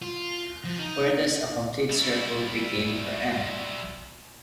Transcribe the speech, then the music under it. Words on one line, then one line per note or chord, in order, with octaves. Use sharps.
Where does a complete circle begin or end?
F4
F3
D#4
G3 E4